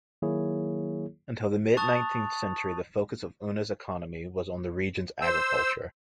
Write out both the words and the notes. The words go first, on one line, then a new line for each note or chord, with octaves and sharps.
Until the mid-nineteenth century the focus of Unna's economy was on the region's agriculture.
D#3 F#3 A#3 E4 G#4 C#5
A5 C#6 D#6 F#6 A6 F7
C5 E6